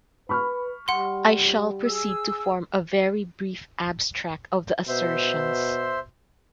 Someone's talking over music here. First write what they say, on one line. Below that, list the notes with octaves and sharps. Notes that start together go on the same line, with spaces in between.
I shall proceed to form a very brief abstract of the assertions.
B4 B5 C#6 F6
G3 F#5 C6
G#4 E6
B2 C5 E5 C6